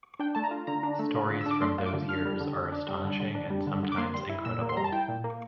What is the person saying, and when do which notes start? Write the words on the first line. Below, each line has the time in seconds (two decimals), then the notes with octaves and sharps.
Stories from those years are astonishing and sometimes incredible.
0.19 D4 G5
0.35 A3 A5
0.44 A#5
0.51 F4
0.67 D3 A#5
0.83 D4
0.99 A3
1.15 F4
1.30 D3
1.41 E6
1.46 D4
1.51 D6
1.61 A3 C6
1.78 F4
1.86 D6
1.93 D3
2.09 D4 F6
2.25 G3
2.41 D3
2.56 D3
2.72 D4
2.88 G3
3.04 D3
3.20 D3
3.35 D4
3.50 G3
3.67 D3
3.83 D3
3.92 D6
3.98 A#3 C6
4.14 G3 C6
4.29 E4
4.45 A#2 E6
4.61 A#3
4.69 C6
4.77 G3 A#5
4.84 A5
4.92 E4 G5
5.08 A#2
5.24 A#3